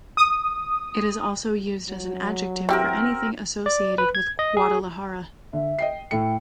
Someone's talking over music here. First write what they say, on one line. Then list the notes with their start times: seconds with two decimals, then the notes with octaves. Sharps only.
It is also used as an adjective for anything associated with Guadalajara.
0.17 D#6
1.89 F#3
2.69 E3 C4 F#4 G4 A#4
3.66 D5
3.98 B4
4.15 G#6
4.39 D#5
4.57 G#4
5.53 D3 E5
5.79 D#5 G5 C7
6.11 A2 A3 G5 C#7